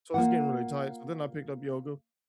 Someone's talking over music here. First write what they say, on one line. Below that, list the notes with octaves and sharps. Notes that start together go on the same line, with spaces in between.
So, it's getting really tight so, then I picked up yoga
A#3 F4 F#5